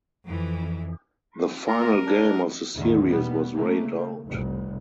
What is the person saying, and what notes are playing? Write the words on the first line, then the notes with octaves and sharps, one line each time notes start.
The final game of the series was rained out.
F2 E3
F4 A#4 A#5
D4
E2 A2 D3 D#3
B2 G3 B3
C#3 A3 A#3
F1 C2